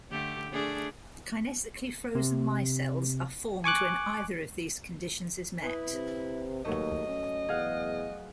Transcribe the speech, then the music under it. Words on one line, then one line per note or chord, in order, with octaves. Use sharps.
Kinetically frozen micelles are formed when either of these conditions is met.
D3 A3 G4
A3 D4 G#4
C3
G#5 C#6 D6 F#6
E4 B4 D#6
C3
D#2 F#3 A3 D#5
C#4
E2 G#4 F5 F#5